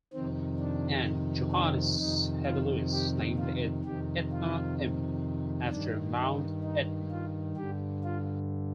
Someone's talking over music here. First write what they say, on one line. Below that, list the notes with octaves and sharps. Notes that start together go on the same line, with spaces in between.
And Johannes Hevelius named it 'Etna M.' after Mount Etna.
F2 C3 D#3 C4
D4
D4
F2 C3 D#3 D#4
F4
G4
F4
F2 C3 D#3 G4
F4
G2 D#3 D4
D#4
D#4
F4
G2 D3 G4
F4